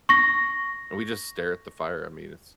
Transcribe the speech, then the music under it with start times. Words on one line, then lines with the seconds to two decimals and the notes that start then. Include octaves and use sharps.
and we just stare at the fire, I mean, it's
0.09 C#6 A#6